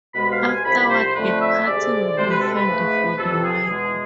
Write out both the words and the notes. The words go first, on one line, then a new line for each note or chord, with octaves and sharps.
Afterward, a party would be held for the "maiko".
C2 B2 G#3 B5
F5
G#5
C2 C3 F3 B5
C5
F2 D3 A3 B4
E5
D2 C3 G#3 D5
D2 C3 G#3 C5
B4
A4
B4
G#2 F3 A3
F2 C3 E3 A4
G#4
E2 B2 G#3 G#4